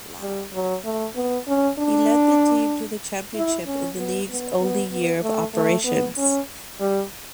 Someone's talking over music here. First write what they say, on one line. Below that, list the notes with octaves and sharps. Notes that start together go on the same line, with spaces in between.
He led the team to the championship in the league's only year of operations.
G3
F#3
A3
B3
C#4
D4
E4
C#4
B3
B3
B3
B3
A3
A3
B3
C#4
G3